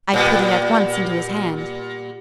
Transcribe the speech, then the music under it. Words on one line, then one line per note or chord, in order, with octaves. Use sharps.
I put it at once into his hand.
A#2 G3 B3